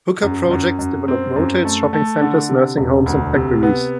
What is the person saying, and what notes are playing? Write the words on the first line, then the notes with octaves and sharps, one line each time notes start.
Hooker Projects developed motels, shopping centres, nursing homes and factories.
F#2
F#2
F#2
C4
F#2
A3
A3
D3
C3
E1
D2
C3
B3